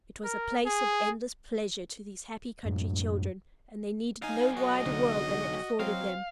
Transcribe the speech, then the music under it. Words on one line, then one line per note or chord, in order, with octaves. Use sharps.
It was a place of endless pleasure to these happy country children, and they needed no wider world than it afforded them.
A#4
G#4
F#2 A2
B1 D#4 F5 G#5
F#4 D#5
C2 D3 D#4
F#3 C4 F5